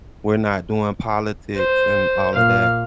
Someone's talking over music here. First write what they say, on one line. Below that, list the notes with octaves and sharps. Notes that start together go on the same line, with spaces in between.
we're not doing politics and all of that."
C5
A#2 F5